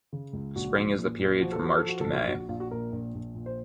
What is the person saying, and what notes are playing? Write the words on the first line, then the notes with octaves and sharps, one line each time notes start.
Spring is the period from March to May.
C#3
C#2
A#1 F#4
F3
A#2
A#1
F3 F#4
A4
F3 F#4
A4
F3 F#4
A#1 A4
F#4
A#1 F#4
F#4
A#1 F4
F#4
A#2 A#4
A#1
A#1
A#2
C5